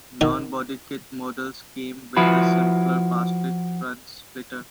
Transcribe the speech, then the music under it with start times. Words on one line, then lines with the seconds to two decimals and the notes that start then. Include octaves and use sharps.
Non-bodykit models came with a simpler plastic front splitter.
0.21 D#3 D#4 F#4
2.17 F3 E4 F#4 B4